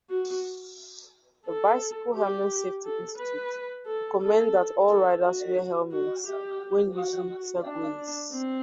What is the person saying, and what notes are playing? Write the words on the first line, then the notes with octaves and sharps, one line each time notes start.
The Bicycle Helmet Safety Institute recommends that all riders wear helmets when using Segways.
F#4
A4
G4
A4
B4
A4
A4
A4
F#4
F#4
G4
F#4
D4
C4